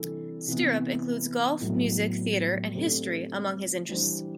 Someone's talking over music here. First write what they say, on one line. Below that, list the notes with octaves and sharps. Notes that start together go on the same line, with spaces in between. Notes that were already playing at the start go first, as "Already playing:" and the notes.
Stirrup includes golf, music, theatre and history among his interests.
Already playing: C3 E3 G3 D4 A4
C3 E3 B3
A2 F#3 B3
D3 A3 C4 G4
E3 G3 D4 G4 C5